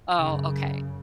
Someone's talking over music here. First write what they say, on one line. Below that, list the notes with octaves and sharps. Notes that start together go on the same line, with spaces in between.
Oh, okay.
F#2 C#3